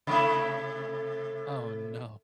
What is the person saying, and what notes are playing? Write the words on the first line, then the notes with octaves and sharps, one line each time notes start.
Oh, no.
C3 A3 E4